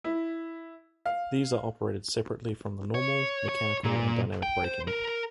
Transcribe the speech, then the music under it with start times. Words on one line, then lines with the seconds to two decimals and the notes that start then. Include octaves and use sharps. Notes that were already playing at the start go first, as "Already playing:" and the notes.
These are operated separately from the normal mechanical and dynamic braking.
0.04 E4
1.05 F5
2.95 C#5
3.49 C#5
3.84 A#2
4.43 G5
4.64 C5
4.88 A#4